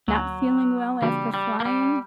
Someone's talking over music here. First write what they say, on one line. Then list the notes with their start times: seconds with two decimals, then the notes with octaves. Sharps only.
not feeling well after flying,
0.08 D2 D3 F#3 A#3
1.02 C#3 E3 G3 A#3 D4 F#4
1.34 G3
1.60 A#3
1.65 G3